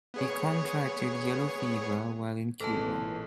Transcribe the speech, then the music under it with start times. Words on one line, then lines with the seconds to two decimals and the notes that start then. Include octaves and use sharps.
He contracted yellow fever while in Cuba.
0.14 B3 G#4 C#5
2.60 A1 A#2 E3 G#3 C4 A4 A5